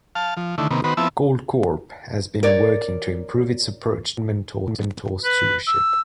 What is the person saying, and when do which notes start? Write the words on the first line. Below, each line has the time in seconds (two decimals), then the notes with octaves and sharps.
Goldcorp has been working to improve its approach to environmental stewardship.
0.15 F5 A5
0.37 F3
0.58 D3 D#3 A3 E4
0.71 C3 D#3 A#3 B3
0.84 D#3 B3 F#4 B4 C5
0.97 F3 B3 C4 E4 E5 A5
2.43 A#4 C#5 D5
5.25 B4
5.67 E6